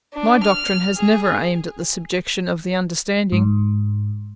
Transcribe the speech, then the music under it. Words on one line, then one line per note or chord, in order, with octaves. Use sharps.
My doctrine has never aimed at the subjection of the understanding.
D4
F6
G#4
G#2